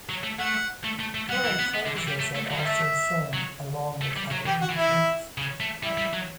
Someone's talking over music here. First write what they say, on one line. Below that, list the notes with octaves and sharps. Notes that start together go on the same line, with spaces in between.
Current phases are also shown along with other details.
F#3
A3
A3 F#5
A3
A3
A3
G3 F#5
E3
B3
B3
D3
E3
G3
A3
A3
F#3
G3
A3 E5
F#3
A3
G3
F#3
E3 G4
F#4
E3
E4
C#3
A3
G3 E4
G3
F#3